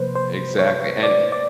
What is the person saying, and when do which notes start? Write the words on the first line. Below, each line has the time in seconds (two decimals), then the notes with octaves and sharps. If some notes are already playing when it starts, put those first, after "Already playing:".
Exactly. And i
Already playing: C3 F3 A#3 B4 C5
0.15 C5
0.59 C#5
1.03 D5
1.32 D5